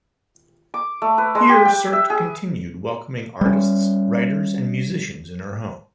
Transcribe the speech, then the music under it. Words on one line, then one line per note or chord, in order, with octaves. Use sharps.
Here Sert continued welcoming artists, writers, and musicians in her home.
D6
A3
B4
G#3
G4
G5
E5
G#4
G3 C#4